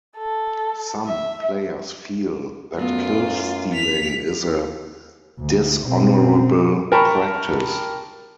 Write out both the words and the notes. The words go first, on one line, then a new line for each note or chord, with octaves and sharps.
Some players feel that kill stealing is a dishonorable practice.
A4
E5
F#2 F#3 A3 B3 F4
B6 F7
D2
B2 C4
A#4 G5 A5 B5 C#6